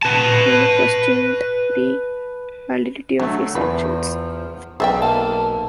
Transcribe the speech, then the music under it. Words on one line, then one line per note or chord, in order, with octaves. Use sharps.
Many questioned the validity of his actions.
B4 A5
D3 F#3 A3
E2 F3 B4
B1 B2 G#4 D5 E5 G5
A#3 A5